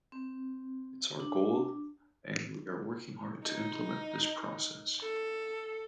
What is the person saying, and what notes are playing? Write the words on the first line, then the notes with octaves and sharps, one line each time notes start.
It's our goal and we are working hard to implement this process.
C4
D4
D#4
A4